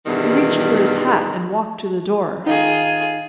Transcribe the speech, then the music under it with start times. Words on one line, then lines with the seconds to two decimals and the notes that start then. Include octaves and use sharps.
He reached for his hat and walked to the door.
0.06 E2 G2 B2 D#3 E3 G3
2.46 D#3 D#4 F4 G#4